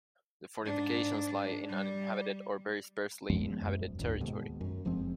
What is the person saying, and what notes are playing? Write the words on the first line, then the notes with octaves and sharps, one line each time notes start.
The fortifications lie in uninhabited or very sparsely inhabited territory.
G#2 D4
G3
F#2 F3 G#3 B3
D#1 F#2
G1 D2 A2
D#2 G#2 B2
F#2
F1 F3 G#3 C4